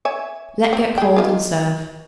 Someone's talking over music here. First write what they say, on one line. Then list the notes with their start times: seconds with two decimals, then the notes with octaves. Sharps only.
Let get cold and serve.
0.05 C#5 E5 G#5
0.73 C4
0.98 G#4 G5
1.16 D#3 E4 F4